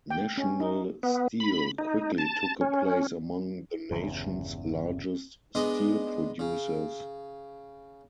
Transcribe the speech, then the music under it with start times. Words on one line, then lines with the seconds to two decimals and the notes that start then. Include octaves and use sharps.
National Steel quickly took a place among the nation's largest steel producers.
0.10 G5
0.38 C#4
0.60 D#4
1.03 B3
1.40 B5
1.78 D#4
2.18 A5
2.61 C#4
3.91 G1 E2 C#3
5.55 G#3 B3 D4 D#5
6.39 C#3